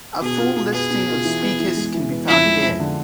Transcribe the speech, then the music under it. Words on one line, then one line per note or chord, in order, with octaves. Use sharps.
A full listing of speakers can be found here.
B2 G#4
F4
B2
B3 G#4
B2
F4
E3
B3
E3
G#3
E3
B3
F2 E4
G#3
F2
D3